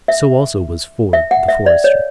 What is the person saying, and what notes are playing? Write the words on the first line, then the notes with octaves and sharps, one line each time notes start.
So also was Ford, the forester.
E5
E5
F#5
E5
D5
C#5